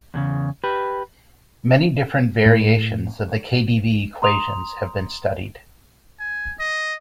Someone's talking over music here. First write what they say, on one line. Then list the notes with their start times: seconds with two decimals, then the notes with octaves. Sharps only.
Many different variations of the KdV equations have been studied.
0.14 E2 A#2 C#3
0.64 G4 B4
2.46 A2
4.22 A#5 C6 D#6 F7
6.20 G#5
6.59 D#5